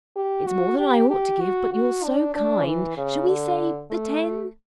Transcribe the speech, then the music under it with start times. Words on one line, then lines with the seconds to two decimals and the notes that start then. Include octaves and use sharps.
It's more than I ought to give, but you're so kind--shall we say the ten?
0.16 G4
0.47 F#4
0.78 G4
1.10 G4
1.41 F#4
1.73 F#4
2.04 D4
2.35 D4
2.66 E3
2.97 C#3
3.28 D3
3.91 A3